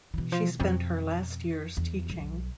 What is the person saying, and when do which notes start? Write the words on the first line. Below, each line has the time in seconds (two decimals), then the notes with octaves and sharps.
She spent her last years teaching.
0.14 B2 E3
0.32 F3
0.60 F2 B2 C4
1.77 E2
2.10 B1